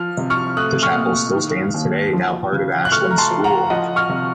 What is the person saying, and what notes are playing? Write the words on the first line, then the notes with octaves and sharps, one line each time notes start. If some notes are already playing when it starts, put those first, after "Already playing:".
The chapel still stands today, now part of Ashlyns School.
Already playing: F3 F6
C3
C#6 F6
A3 D#6 F#6
C#6 F6
A#2
D#3
D#2
F3
C#3
F#6
A3 C#6 F6
A#5
A5 C6
F3
F#5 A#5
F3 D#5 F#5
C#6 F6
C3